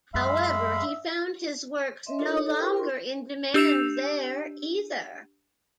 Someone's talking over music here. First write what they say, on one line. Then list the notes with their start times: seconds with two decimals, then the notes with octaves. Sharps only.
However, he found his works no longer in demand there either.
0.14 F#2 G#3 E5 F5 B5
2.06 D#5 E5 C6
2.19 D4 F4 A4 A#4 C#5
2.31 D#4 C#5
2.47 A4
2.59 E4 G4 A#4 C5 G5
2.76 F4 A#4 C6 C#6
3.54 D4 G4 E6 G6 E7 F7